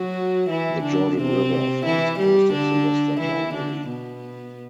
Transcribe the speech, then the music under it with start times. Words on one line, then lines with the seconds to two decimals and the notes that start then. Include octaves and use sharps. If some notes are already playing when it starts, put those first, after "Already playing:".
The Jordan River forms most of the western boundary.
Already playing: F#3 F#4
0.50 E3 E4
0.84 D3 D4
1.17 C3 C4
1.85 E3 E4
2.19 G3 G4
2.53 D3 D4
3.20 E3 E4
3.54 D3 D4
3.88 B2 B3